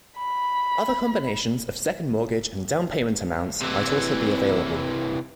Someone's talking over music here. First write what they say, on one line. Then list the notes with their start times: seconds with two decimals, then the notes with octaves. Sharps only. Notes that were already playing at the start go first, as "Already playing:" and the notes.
Other combinations of second mortgage and downpayment amounts might also be available.
0.17 B5
3.61 C3 E3